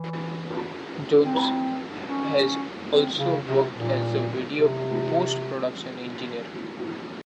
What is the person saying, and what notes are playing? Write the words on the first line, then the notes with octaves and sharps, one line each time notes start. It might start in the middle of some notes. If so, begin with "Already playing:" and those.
Jones has also worked as a video post-production engineer.
Already playing: E3
C4
C#4
C4
C#3
C3
A#2
C3